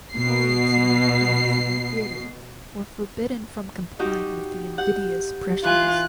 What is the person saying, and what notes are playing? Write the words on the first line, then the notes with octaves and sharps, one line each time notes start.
Colleagues and employees at the theatre were forbidden from complying with the invidious pressures.
B2 C7
D#4 F#4 G4
G4 F#5
E3 F4 G#5 F#6